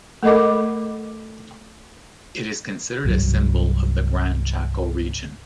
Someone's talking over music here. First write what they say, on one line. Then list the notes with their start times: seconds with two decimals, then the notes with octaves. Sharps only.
It is considered a symbol of the Gran Chaco region.
0.23 A3 A4 A#4 D#5 B5 D6
3.05 C2 G2 F#3